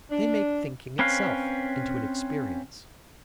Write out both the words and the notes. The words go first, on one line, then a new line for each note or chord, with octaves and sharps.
They make thinking itself into an experience.
D4
C4 C#4 B4 C#5 F5